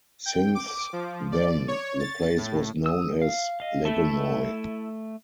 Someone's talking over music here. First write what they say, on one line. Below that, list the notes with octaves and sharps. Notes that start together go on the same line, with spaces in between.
Since then, the place was known as "Lagonoy".
G5
D6
F3
D5
C#5
A6
A2
D#6 E6
F5
D#5 F5
A3 E4 E5 A5